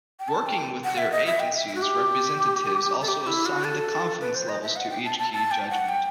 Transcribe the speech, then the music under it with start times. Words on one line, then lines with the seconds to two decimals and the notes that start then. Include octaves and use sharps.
Working with their agencies, representatives also assign the confidence levels to each key judgment.
0.20 G5
0.28 A5
0.47 G5
0.84 F#5
0.98 E5
1.12 D#5
1.26 E5
1.40 G5
1.54 E5
1.68 E5
1.75 F#4
1.82 G4
3.01 A4
3.08 G4
3.27 E4
3.46 F#4
3.64 A4
4.21 B4
4.35 C5
4.49 D#5
4.63 E5
4.76 F#5
4.90 G5
5.05 A5
5.19 A5
5.33 A5
5.51 G5
5.70 F#5
5.89 G5